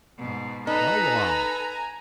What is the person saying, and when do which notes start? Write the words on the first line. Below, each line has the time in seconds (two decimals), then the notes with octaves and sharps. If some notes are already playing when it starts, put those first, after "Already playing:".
"How long?"
0.17 G#2 B2
0.67 D#4 A4 B4 G#5 A#5